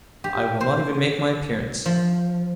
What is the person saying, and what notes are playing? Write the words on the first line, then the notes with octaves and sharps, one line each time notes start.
"I will not even make my appearance."
G4
C5
F3